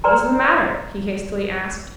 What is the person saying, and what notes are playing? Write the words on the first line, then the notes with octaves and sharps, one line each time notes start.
"What is the matter?" he hastily asked.
A#4 B4 D5 G5 A#5 C6